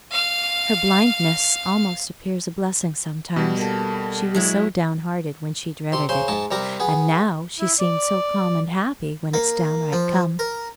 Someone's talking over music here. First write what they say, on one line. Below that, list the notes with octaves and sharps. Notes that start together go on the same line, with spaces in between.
Her blindness almost appears a blessing sometimes; she was so downhearted when she dreaded it, and now she seems so calm and happy when it's downright come.
F5 F6
B2 G3
A#3 A4
F#3 G#3 E4
C3 C6
C#3 C5 C6
G#2 G#3 A5
C3 G3 A#4 A#5
B3 G#4
E4
D5
A#3
F3
A#4